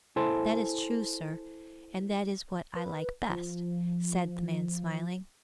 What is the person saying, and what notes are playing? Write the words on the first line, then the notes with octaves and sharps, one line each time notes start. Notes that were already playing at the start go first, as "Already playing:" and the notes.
"That is true, sir, and that is what I like best," said the man, smiling.
E4 A4 C5 G#5 A5 C6
B4
F3